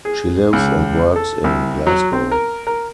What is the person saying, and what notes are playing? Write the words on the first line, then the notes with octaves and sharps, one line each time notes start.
She lives and works in Glasgow.
G#4
C#2
A4
C2
F#3
C4
A#4
A#4